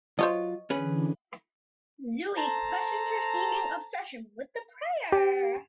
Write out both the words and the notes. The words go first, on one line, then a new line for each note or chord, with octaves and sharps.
Zooey questions her seeming obsession with the prayer.
F#3 F4 C5 C#5 D#5
D3 E3 C#4 D4 G#4 B4
A4 C5 A5 A#5
G4